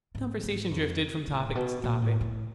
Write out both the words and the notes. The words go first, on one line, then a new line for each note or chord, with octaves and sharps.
The conversation drifted from topic to topic.
G#2
G#2
F2
A2
B2
A#2
A2
A2